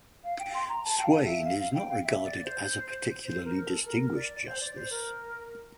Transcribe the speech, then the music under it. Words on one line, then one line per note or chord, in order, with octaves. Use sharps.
Swayne is not regarded as a particularly distinguished justice.
F5
G5
C6
A#5
A5
G5
F5
E5
F5
F5
G5
F5
E5
D5
C5
C5
A#4
A4
A#4
D5
C5
D5
C5
A#4